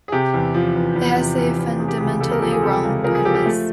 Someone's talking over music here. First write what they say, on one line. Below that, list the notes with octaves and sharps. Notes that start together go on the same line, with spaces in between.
It has a fundamentally wrong premise.
G#4
C3 G4
E2
F3
E2
E2
C3
E2
E2
C3 G#4
G4
C#2 G#4
C#2 G4 A4
G#4 A#4
F3 G4 A4
G#4
C3 G4 A4
C#2
F3 G#4 A#4
G#4
F3 G4 A4
G4
A3